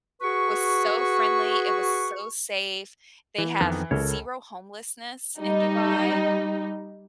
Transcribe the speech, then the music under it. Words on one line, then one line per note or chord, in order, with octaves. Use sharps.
was so friendly, it was so safe. They have zero homelessness in Dubai,
F#4 G#4 B4 C#6
E3
F2 D#3 B3
C#2 A4 A#4 C#5
G3 D#4